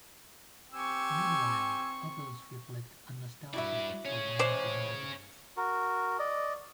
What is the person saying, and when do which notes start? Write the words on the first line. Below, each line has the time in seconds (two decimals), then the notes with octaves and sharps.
Meanwhile, others reflect a nostalgia for one's younger days.
0.74 C4 G4 G#5 C#6 E6
3.54 G2 E4 F#4 D5 E5
4.05 C#4 G#4 C#5
4.39 A2 E3 G#3 C5 D5
5.57 F#4 A#4
6.19 D5 D#5